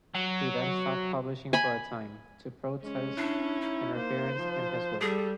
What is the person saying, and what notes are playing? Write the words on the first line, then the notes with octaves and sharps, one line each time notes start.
He then stopped publishing for a time, to protest interference in his work.
F#3
G#5 B5
G#3 C#4
D4 E4
D#4
A#3 C5
F3
G3 G#4 A4